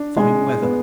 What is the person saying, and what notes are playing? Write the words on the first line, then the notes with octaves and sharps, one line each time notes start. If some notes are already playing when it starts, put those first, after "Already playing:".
Fine weather.
Already playing: D4
G#3
B3